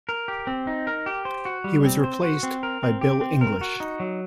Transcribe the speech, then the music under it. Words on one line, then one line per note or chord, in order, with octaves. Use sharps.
He was replaced by Bill English.
A#4
G4
C4
D#4
A#4
G4
C5
F#4
G3
C4
C5
F#4
C4
A#4
C4
G4
C4
A#4
F#4
D#4
F#3